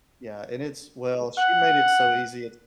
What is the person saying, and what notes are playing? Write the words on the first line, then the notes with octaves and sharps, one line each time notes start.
Yeah, and it's well, she made it so easy it's
F#5